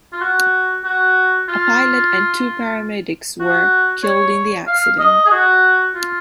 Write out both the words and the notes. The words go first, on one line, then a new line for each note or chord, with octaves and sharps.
A pilot and two paramedics were killed in the accident.
F4
F#4
F#4
F4
F#4
C#5
F5
D#5
G#4
F#4
F4